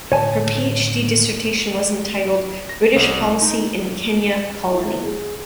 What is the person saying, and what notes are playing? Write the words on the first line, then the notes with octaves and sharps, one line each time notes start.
Her PhD dissertation was entitled "British policy in Kenya Colony".
A2 D3 D#3 C#5 G#5 A5
A#6
C2
D#4
E4
G#4